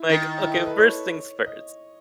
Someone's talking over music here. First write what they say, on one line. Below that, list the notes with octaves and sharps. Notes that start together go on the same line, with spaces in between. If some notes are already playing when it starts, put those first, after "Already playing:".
like, okay, first things first,
Already playing: E4
D#3
E4
A4
B4
C#5
D#5